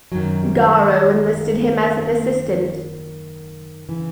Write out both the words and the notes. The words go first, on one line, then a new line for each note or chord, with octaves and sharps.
Garrow enlisted him as an assistant.
F#2 D#3 F#3
G3
G#3
A3
A#3
A#3
A#3
C#3 E3